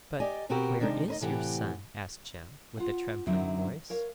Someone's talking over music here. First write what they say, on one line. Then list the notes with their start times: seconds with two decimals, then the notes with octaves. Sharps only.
'But where is your son?' asked Jem, with a trembling voice.
0.20 G4 D5 D#5 G#5
0.49 B2 B3 C4 F#4 G4 A#4
0.80 C3 D#3 G#3 D4 D#4
1.08 D#2 B4 D#5
1.21 A2 C3 E3 G4 F#5
2.77 F4 F#5
3.27 F#2 D3 F#3 C4 D#4 E4
3.90 A#4 C#5 F5